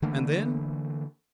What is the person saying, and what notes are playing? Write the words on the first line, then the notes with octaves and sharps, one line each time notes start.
"And then?"
D3 E3 A3 A#3